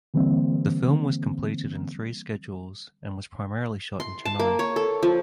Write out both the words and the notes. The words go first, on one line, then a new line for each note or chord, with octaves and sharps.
The film was completed in three schedules and was primarily shot in Chennai.
D3 E3 G3 A#3 C4
C6
A5
A#3
C#5
A4
F3